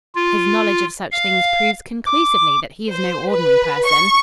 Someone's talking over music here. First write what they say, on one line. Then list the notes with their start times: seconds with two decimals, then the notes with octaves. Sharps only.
"His knowledge of such things proves conclusively that he is no ordinary person."
0.15 F4
1.12 F5
2.06 D6
2.90 C5
3.30 B4
3.86 C#6